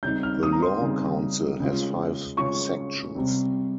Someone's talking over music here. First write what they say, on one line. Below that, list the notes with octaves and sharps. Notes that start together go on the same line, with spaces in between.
The Law Council has five Sections.
C#3 G3 C4 D#4 G6
F6
D#6
A#5
C6
C#3 G3 C4 D#4
C#3 G#3 C#4 F4
C#3 G#3 C#4 F4 C#6
C3 G3 C4